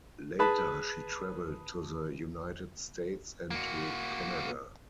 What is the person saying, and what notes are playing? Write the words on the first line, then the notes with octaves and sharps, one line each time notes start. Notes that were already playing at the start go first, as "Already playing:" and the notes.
Later she travelled to the United States and to Canada.
G#4 B4 A5 B5
A#3 F#4